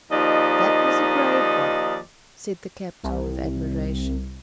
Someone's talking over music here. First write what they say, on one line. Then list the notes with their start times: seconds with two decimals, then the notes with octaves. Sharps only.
"That was a brave one," said the captain with admiration.
0.12 D#2 F3 D#4 D5 D#5
3.03 C2